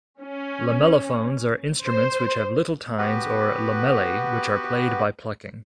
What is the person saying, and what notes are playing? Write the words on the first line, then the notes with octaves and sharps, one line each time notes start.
Lamellophones are instruments which have little tines, or "lamellae", which are played by plucking.
C#4
C5
B3 F#4 G4 B4